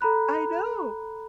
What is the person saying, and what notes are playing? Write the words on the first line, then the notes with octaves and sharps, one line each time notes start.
I know.
A4 A#5 B5 F#6